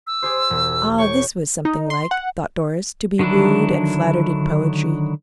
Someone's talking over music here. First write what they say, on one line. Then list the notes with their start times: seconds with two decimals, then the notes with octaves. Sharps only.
Ah, this was something like, thought Doris, to be wooed and flattered in poetry.
0.07 E6
0.22 G4 G#4 C5
0.50 E1
0.98 C#5 G5 C#6
1.65 D#4
1.90 C6
2.11 F#5
3.19 D3 D#3 F#3 D4 E4